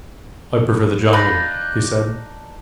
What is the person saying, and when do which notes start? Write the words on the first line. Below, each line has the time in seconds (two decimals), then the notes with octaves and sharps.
"I prefer the jungle," he said.
1.13 D4 D#4 F5 B5